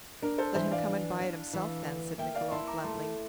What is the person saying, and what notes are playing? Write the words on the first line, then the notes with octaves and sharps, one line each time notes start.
"Let him come and buy it himself, then," said Niccolo, bluntly.
D4 A#4
A4 C5
E3 C5 E5
D5 F5
D4
D4
E3
D2
A#3 E5 G5
D5 F5
E4 A5 C6
A#5 D6
A3 A5 C6